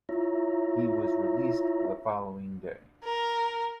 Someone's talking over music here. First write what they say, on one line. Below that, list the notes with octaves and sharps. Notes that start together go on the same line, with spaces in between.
He was released the following day.
E4 F4 C#5 E5 A#5
A#4